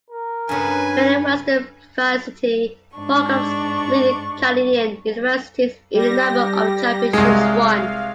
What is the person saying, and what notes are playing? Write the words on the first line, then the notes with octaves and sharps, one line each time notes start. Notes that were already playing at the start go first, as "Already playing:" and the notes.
Many Western varsity programs lead Canadian universities in the number of championships won.
A#4
G2 C#3 B4 G#5
G#2 D4 C#6
G3 G4 A#6
C2 G#3 F5